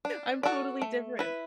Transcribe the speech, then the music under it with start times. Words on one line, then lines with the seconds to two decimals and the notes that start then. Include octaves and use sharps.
I'm totally different.
0.05 D4
0.43 F#4 A4 D5
0.82 A3
1.19 E4 B4